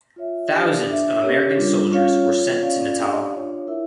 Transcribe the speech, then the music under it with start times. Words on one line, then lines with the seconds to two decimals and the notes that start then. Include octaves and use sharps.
Thousands of American soldiers were sent to Natal.
0.16 F4 C#5 E5
0.52 D4 G4 D5 F5
0.86 D4 A4 E5
1.21 C#4 G4 A#4 C#5
1.56 G3 D4 F4
1.92 C#4 F4 C#5 F5
2.27 F4 A4 C#5
2.62 C#4 F4 A4 D5 F5
2.97 D4 G4 D5 F5
3.33 D4 F4 C#5
3.67 E4 A#4 E5